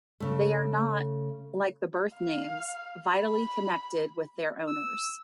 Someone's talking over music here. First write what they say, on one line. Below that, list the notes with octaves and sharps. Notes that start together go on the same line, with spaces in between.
They are not, like the birth-names, vitally connected with their owners.
C#3 A3
F5
B5
E6